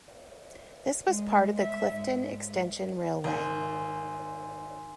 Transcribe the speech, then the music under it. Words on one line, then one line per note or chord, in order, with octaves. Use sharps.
This was part of the Clifton Extension Railway.
G#3
E5
G#2
G#1 D#4 G#5 C6